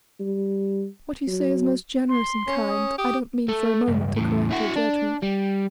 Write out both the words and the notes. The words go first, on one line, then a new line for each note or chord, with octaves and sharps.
What you say is most generous and kind; I don't mean for a moment to correct your judgment.
G3
F#3
C6
C#4
D#6
G4 D#6
A3
C#2 G2
E2 A2
E4 F#4
D4
G3